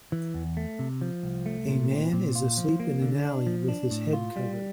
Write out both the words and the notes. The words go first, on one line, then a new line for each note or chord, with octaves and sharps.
A man is asleep in an alley with his head covered.
E3
E2
A3
C3
F3
C2
A3
A#2
C4
A#2
F4
F3
A#3
D3
D4
F3
D4
A2
F4
G3